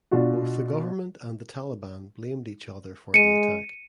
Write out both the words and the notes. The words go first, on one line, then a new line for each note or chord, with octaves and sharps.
Both the government and the Taliban blamed each other for the attack.
B2 D4 F4 F#4
G#3 C#7 D#7